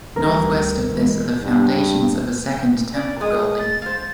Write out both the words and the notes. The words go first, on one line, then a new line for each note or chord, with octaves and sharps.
Northwest of this are the foundations of a second temple building.
D2 G3 A#4
E3 G#3
G2
G5
D5
G#3 D#6
A6
C5 F5